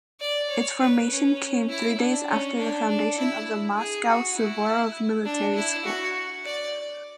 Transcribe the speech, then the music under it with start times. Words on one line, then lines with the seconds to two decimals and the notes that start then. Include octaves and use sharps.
Its formation came three days after the foundation of the Moscow Suvorov Military School.
0.20 D5
0.50 C#5
0.80 B4
1.09 C#4
1.69 E4
1.98 D4
2.28 C#4
2.58 D4
2.88 D4
3.18 E4
3.77 G#4
4.07 F#4
4.36 E4
5.25 D4
5.55 E4
5.85 F#4
6.45 D5